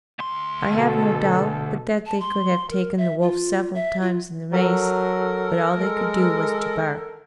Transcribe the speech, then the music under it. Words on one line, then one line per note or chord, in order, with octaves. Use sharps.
I have no doubt but that they could have taken the wolf several times in the race, but all they could do was to bark.
D2 C6
B2 A4
A5
C6
A#4
E5
F4
E5
F4
F#3 A4 A#4
G#3